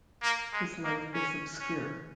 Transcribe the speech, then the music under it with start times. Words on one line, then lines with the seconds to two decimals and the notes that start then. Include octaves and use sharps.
His life is obscure.
0.22 A#3
0.53 G#3
0.84 A#3
1.14 C#4
1.60 C#4